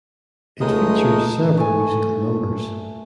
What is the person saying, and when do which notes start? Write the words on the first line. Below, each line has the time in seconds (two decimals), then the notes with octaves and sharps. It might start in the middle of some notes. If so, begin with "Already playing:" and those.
It features several musical numbers.
0.61 C#2 G#3 A3 D#4 D#6
1.57 A3 G#5